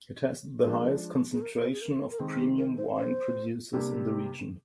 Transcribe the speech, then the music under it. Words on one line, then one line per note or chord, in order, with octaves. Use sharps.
It has the highest concentration of premium wine producers in the region.
F3 G#3 D4 A#4
G#4
A#4
C5
G#4
A#4
A#4
D#3 G#3 C4 G#4
G4
A#4
C5
C5
C3 G3 A#3 D4 G4